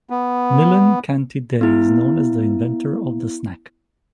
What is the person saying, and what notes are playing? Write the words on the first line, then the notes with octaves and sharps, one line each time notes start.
Milon Kanti Dey is known as the inventor of the snack.
B3
B3 E4